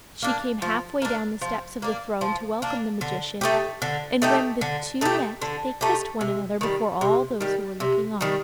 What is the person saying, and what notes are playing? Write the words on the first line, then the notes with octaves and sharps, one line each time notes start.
She came half-way down the steps of the throne to welcome the magician, and when the two met they kissed one another before all those who were looking on.
A#3 D4
F3
A#3 D4
F3
A#3 D4
F3
A#3 D4
D3
A3 D#4 G4
D3
A3 D#4 G4
D3
A3 D#4 G4
D3
A3 D#4 G4
C3
D#3 G3
C3
D#3 G3
C3
D#3 G3